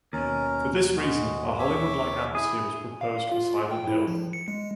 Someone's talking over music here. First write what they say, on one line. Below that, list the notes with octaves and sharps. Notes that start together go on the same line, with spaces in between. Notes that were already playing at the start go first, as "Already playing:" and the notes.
For this reason, a Hollywood-like atmosphere was proposed for "Silent Hill".
D#2 B2 C#4 A#4
G#3 F#4
C#5 E5 D6
E4 G#4
F5
F4
G5
E4
F3
C#7
G#3